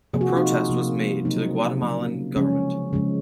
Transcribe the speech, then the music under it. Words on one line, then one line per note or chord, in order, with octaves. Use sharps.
A protest was made to the Guatemalan Government.
C3 F3 A#3 G#4
F#4
F4
D#4 F#4
C3 F3 A#3
C#3 F#3 A#3 C4 D#4
C#3 F#3 A#3
C#3 F3 G#3 C#4
C#3 F3 G#3